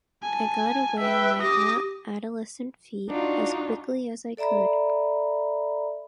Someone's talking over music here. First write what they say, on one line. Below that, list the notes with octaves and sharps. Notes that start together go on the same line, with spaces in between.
I got away on my hot adolescent feet as quickly as I could.
G#5 A5
B4 E5 G5
G4 D#6 A#6
D4 D#4 F4 F#4
A4 D5 E5 A#5 B5